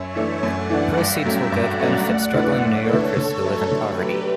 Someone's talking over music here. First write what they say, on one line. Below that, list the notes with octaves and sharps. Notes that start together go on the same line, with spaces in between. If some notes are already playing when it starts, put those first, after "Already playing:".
Proceeds will go to benefit struggling New Yorkers who live in poverty.
Already playing: F#2 C#5 E5
E3 A3 D4
F#2 D5 F#5
E3 A3 D4
G2 E5 G5
F#3 A3 C#4
G2 D5 F#5
F#3 A3 C#4
D2
D3 A3 E4 B4
D2 A4 C#5
D3 A3 E4 B4
D3
F#3 A3
D3 G4 B4
F#3 A3